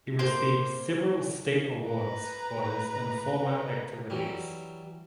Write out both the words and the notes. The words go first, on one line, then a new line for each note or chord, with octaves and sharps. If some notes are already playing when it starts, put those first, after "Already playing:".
He received several state awards for his informer activities.
A#3 C5
B4 A#5
E3 F#3 G3